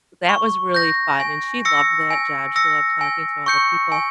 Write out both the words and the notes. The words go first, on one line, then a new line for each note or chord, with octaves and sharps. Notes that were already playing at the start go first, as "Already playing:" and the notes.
that was really fun, and she loved that job, she loved talking to all the people,
C#6
G6 A#6
G#5
E6 A#6 C#7
G#5
E6 A#6 C#7
G#5
C#6 G6 C#7
G#5